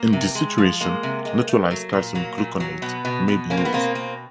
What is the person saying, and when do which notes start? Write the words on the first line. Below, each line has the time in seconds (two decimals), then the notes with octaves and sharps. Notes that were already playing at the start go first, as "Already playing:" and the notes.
In this situation neutralized calcium gluconate may be used.
Already playing: A#3
0.13 C3
0.35 G#3
0.58 F3
0.81 G#3 A#3
1.03 C3
1.25 G#3
1.48 A3
1.71 F#3
1.93 A#2
2.15 F#3 A#3
2.38 A#2
2.60 F#3
2.82 B2 B3
3.05 B2
3.28 B2
3.50 A#3 C#4
3.57 C4
3.65 B3
3.73 B2 A#3 C4
3.95 A#3